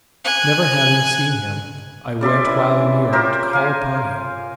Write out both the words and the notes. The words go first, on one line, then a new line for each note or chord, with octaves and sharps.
Never having seen him, I went while in New York to call upon him.
G#5 F#6
C#3 D5 E5 C6
E3
F4 G4 A#4 C5
F5 G#5